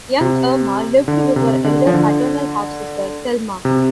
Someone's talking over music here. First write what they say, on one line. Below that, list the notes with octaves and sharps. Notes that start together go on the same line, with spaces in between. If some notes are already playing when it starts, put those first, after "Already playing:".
Young Erma lived with her elder paternal half-sister, Thelma.
C3
D3
C3
D3
F3
D3
C3